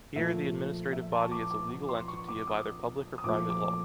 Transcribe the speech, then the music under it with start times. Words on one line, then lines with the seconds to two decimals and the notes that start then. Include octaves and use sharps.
Here the administrative body is a legal entity of either public or private law.
0.15 A#2 F3 A3 E5
0.93 E5
1.12 A5
1.24 C#6
1.31 D6
1.51 D6
1.70 D6
1.89 C6
2.08 C#6
2.28 D6
2.47 D#6
3.18 D#6
3.24 A#2 F3 A3 D6
3.50 D6